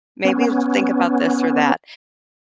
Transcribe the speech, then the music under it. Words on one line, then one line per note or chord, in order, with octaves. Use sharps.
maybe think about this or that."
B3 C#4